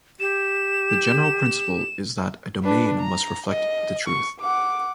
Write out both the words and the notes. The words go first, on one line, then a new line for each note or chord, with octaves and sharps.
The general principle is that a domain must reflect the truth.
G4 E7
D4 B4
A#5
D#5
C#6
F#5 D6